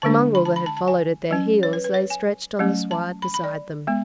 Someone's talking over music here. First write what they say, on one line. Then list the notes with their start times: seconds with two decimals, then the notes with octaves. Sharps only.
The mongrel that had followed at their heels lay stretched on the sward beside them.
0.02 D3 G#3 D4 A5
0.35 B5
0.45 A5
0.56 B5
0.66 A5
0.77 A5
0.88 G#5
1.31 F#3 C#4
1.63 C#5
1.73 B4
1.84 B4
1.94 C#5
2.10 G#5
2.59 F#3 A3 C#4
2.91 A5
3.22 B5
3.34 B5
3.44 D5
3.87 G#3 B3